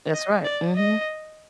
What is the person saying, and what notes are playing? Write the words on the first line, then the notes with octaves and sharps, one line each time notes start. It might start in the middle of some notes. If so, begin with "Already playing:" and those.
That's right. Mhm.
D#5
D5
D#5